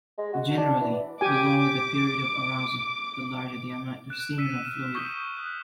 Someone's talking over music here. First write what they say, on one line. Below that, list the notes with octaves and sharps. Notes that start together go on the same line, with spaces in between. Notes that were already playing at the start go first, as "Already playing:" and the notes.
Generally, the longer the period of arousal, the larger the amount of seminal fluid.
G#3
F#4
D4
E3
G4 G#5 D6
F#6 D7 E7
E6 B6 C#7 D#7
F6 E7
C#6 D#6 G6 B6 G7
D#6 F#6 E7